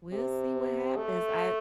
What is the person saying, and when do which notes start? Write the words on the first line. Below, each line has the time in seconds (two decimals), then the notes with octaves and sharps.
we'll see what happens. I
0.13 C3
0.97 A3